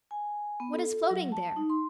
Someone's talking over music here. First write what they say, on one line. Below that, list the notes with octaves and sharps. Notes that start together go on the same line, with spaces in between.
"What is floating there?"
G#5
B3
A4
F#3
A5
D#4
C6